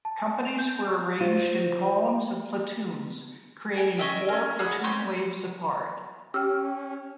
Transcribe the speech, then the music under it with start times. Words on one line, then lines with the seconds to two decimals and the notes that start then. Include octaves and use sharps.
Companies were arranged in columns of platoons, creating four platoon waves apart.
0.05 A5
0.19 G#5
0.31 G#5
0.45 F7
0.58 G6
0.70 G6
0.88 C#6
1.20 F4 C5
3.77 G5 G#5
3.98 C#4 D#5 E5 G5
4.28 C#4 A#4
4.59 G#4 F#5 B5 F6
4.84 C4 C#4 G5 B5
6.34 C#4 G4 G5 E6 F6